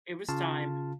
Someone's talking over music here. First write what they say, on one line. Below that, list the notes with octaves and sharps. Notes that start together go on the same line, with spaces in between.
it was time.
C#3 F4 F5 A5